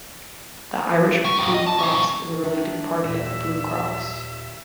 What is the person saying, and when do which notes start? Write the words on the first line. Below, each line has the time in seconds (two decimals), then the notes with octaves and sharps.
The Irish Blue Cross is a related party of Blue Cross.
1.25 C#4
1.38 D#2 A2
1.54 D#5
1.66 A5
1.79 C#4 C5
1.92 A#2 F#3
2.43 D#3 D4 E5
3.02 D#2 A#2 E5